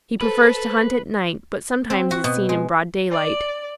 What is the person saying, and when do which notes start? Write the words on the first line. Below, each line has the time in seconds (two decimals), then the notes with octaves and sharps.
He prefers to hunt at night, but sometimes is seen in broad daylight.
0.21 A4 B4 C5
1.90 C4
2.11 F#4
2.24 B2
2.49 G#3
3.11 D5